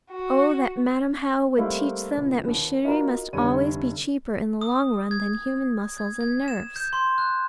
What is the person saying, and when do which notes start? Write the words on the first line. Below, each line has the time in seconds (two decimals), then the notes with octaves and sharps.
Oh that Madam How would teach them that machinery must always be cheaper in the long run than human muscles and nerves!
0.10 F#4
1.57 G3 A3 A#3 C4 D#4 E4
2.17 C#2
2.43 D#2 B3
2.85 D#4 F4 F#4 A#4 B4 A#5
3.33 F1 D3 G3 C#5 D#7
4.61 D#6
5.11 G#6
5.98 G#6
6.21 G#6
6.48 E7
6.76 G6
6.93 C6
7.18 F#6